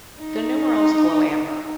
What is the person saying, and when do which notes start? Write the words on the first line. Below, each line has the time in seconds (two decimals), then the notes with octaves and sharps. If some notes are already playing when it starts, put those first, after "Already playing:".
The numerals glow amber.
0.19 D#4